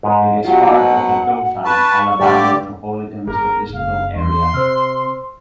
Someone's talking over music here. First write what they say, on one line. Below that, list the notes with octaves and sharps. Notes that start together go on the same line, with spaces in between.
It is part of the Dothan, Alabama Metropolitan Statistical Area.
G#2 G#3 B4
B2 F#3 F4 G4 F#5
D#4 F#4 C5
B4 A5 C#6
G2 D3 G4 D5
G1 G#4 A#4
F#1 F5
E2 C6
C3 C5 E6 F6